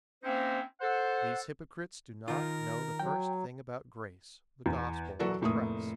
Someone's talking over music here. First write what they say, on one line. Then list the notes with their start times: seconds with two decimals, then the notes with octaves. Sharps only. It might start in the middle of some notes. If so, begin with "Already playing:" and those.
These hypocrites do not know the first thing about grace, the Gospel, or Christ.
0.24 A#3 C4 C#4 D#4 E4 C5
0.81 A4 C5 F#5
2.28 D#3 F4 A#4
3.00 F#3 G5
4.66 E2
5.19 E3 F#3 F#4 A4 B4 D5
5.41 F1 A2 A#3 D#6